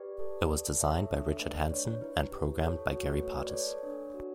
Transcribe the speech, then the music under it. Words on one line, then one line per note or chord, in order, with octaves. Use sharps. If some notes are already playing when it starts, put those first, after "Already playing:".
It was designed by Richard Hanson and programmed by Gary Partis.
Already playing: G4 B4 D5
A4
A4
A4 C#5 E5
D4
A3 B4 D5
D4 C#5
C#5
E4 B4
G4
A4 C#5
C#5
F#4 C#5
B4
A3 C#5
B4 D5
A4 C#5
D4 C#5
F#4